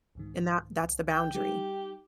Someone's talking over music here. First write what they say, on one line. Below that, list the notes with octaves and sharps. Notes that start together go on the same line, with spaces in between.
and that that's the boundary.
C2 G#2 D#3
C2
G5
G3 D#4 G4